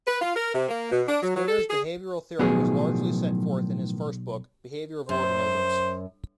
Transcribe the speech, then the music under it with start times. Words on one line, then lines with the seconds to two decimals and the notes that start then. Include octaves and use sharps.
Skinner's behavioral theory was largely set forth in his first book, "Behavior of Organisms".
0.07 B4
0.21 F4
0.36 A#4
0.54 C3
0.69 A#3
0.92 B2
1.08 D4
1.23 F#3
1.36 F#3
1.48 A4
1.70 G#4
2.39 B1 A2 D#3 F3 F#3 B3 G#4
5.09 F#2 C5